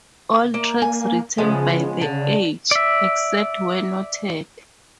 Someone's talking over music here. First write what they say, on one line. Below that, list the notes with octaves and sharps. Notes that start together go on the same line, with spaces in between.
All tracks written by The Edge except where noted.
A#3
A#3 G#5
C#3 F3 G#3 B3
D3
D5 E5